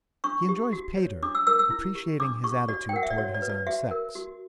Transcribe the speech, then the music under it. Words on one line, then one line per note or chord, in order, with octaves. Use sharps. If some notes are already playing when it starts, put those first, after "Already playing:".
He enjoys Pater, appreciating his attitude toward his own sex.
D4 C#6
G4
F#4
C#5
D4 D6
E6
A#4 E6
E6
E4
G4
D4 D6
G4 C#6
F#4 D5
G5
A#4 F#5
E5
D5
F#4 C#5
D5
B4
D5
F#4 E5
A#4
F#4